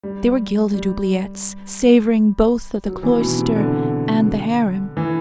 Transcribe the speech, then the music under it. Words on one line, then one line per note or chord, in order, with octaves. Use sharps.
They were gilded oubliettes, savouring both of the cloister and the harem.
G3
G3
F#3
E3
B2
C3
D3
E3